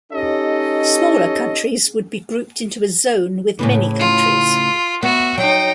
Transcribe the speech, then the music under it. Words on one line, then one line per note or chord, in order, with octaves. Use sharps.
Smaller countries would be grouped into a zone with many countries.
C#4 D#4 G4 A4 C#5 D#5
A2 C#3 E3
F4
B3 F#4 E5
F#3 D#4 G5